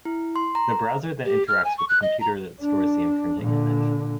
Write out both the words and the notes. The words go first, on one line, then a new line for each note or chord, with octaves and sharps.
The browser then interacts with the computer that stores the infringing image.
E4
C6
A#5
G4
F6
G#5
C#6
F#6
D#5
A#5
D4
A#2 D3